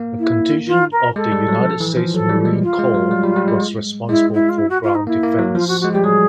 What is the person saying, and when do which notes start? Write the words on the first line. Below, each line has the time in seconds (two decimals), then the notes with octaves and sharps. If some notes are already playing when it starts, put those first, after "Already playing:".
A contingent of the United States Marine Corps was responsible for ground defense.
Already playing: A#3
0.19 E4
0.67 F4
0.92 A#4
1.16 G#3 A4
1.32 G3
1.48 F#3
1.65 F3
1.80 E3
1.97 F3
2.13 F#3 A4
2.29 G3
2.45 G#3
2.62 F4
2.79 G#3
2.95 F#3
3.11 G3
3.23 G3
3.36 G3
3.48 G#3
4.09 G#3 E4
4.33 E4
4.49 F4
4.57 E4
4.69 F#4
4.83 F4
4.94 D#4
5.07 A#3 E4
5.23 A#3
5.38 F#3
5.55 F3 F4
5.68 F#4
5.80 F#4
5.84 G#3
5.92 G3 G4
6.04 F#3 G#4